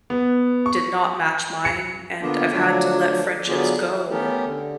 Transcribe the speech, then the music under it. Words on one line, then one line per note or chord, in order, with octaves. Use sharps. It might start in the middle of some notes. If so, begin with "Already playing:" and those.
did not match mine, and I've had to let friendships go
B3
C#6
C#7
D3 A#3 B3 D4 F4
D3 F3 F#3 A3 D4 C#5
D3 F#3 B3 F4 G#4 D5
E4
A3 B3 C#4 G4 A4 A#4
D3